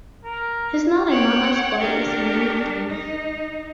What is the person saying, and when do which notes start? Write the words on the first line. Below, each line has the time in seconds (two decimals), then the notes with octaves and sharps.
He's not a "mama's boy" as many believe.
0.25 A#4
1.10 C#5 F#5 G5
1.80 D4 G4 A#4 C#6
2.89 D#4